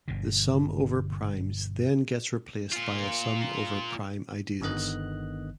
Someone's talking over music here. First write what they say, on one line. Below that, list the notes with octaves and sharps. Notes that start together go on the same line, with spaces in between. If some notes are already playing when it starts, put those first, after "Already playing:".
The sum over primes then gets replaced by a sum over prime ideals.
G1 B2 D3
A#2 F4
G1 D3 D#3 B3 D#5 F#6